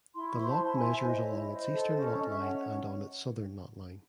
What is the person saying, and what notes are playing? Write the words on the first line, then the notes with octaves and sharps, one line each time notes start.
The lot measures along its eastern lot line and on its southern lot line.
E4 C6
C#6
C5 C6
A5
E4 C6
G#5
C5
E5
E4 D#5
C#5
E4
D#5
C5 D#5
A4
C#4 D#5
C#5
C#4 D#5
E5
C#5 F#5